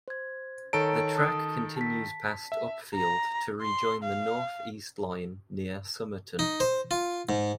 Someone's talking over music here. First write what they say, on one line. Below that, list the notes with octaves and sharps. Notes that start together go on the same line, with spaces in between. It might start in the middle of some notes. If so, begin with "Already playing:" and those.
The track continues past Upfield to rejoin the North East line near Somerton.
C5 G#6
D#3 A4 C#5 A5 A#5 D7
A5 D#6
A5 B6
E5
A#5
C6
F5
D#4
C5
F4
G#2